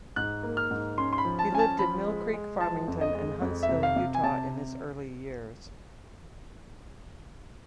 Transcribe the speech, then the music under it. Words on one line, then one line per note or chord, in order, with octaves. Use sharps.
He lived in Millcreek, Farmington and Huntsville, Utah, in his early years.
G#2 F#6
A#3
F6
G#2
C#4 C6
C6
B5
F3
A5
C#4 G#5
A5
F3 B5
G#3
G#3
F3 A5
F2
D#5
G#3
F2
E5
C3
F5
C3
G#5
C3 A5